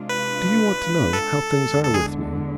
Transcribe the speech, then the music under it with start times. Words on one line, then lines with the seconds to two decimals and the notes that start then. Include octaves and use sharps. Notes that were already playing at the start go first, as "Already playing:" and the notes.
"Do you want to know--how things are with me?"
Already playing: C3 G#3 D4 F4
0.09 B4
1.13 A4
1.65 E2 D3 G#3
1.84 A4
1.94 G#4